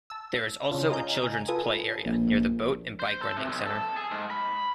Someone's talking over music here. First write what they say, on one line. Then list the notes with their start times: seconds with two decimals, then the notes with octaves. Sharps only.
There is also a children's play area near the boat and bike renting center.
0.10 A5 E6
0.71 C#3 C#4 D4 F4
0.90 D#5 F5 G#5 A#5 G6
1.24 G#5
1.48 F4 A4 B4 G#5 D#6
2.05 A#1
3.00 C5
3.22 A4
3.37 C3
3.50 B1
3.66 A4
3.97 G#4
4.12 G#2
4.30 B5